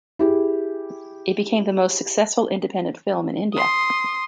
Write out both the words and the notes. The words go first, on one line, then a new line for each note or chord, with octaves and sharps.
It became the most successful independent film in India.
E4 G4 G#4
C6 D#6